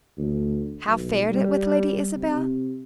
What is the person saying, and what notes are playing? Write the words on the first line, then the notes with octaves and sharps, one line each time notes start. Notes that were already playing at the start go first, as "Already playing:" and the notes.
How fared it with Lady Isabel?
D2
B1
G3
C3